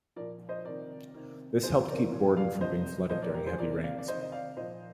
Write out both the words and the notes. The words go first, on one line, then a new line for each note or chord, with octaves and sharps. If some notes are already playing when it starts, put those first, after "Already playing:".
This helped keep Borden from being flooded during heavy rains.
A#2 F3 A#4 D5
C5 D#5
C3 D#3 A#4 D5
C3 D#3
C3 F3 G#4 C5
A#4 D5
A#2 F3
D5 F5
C3 F3 C5 D#5
A#2 F3 C5 D#5
A#4 D5
G4 A#4
G#4 C5
C3 F3 A#4 D5
D5 F5
D5
C3 D#3 C5 D#5
D#5
D5 F5
A#2 F3 C5 D#5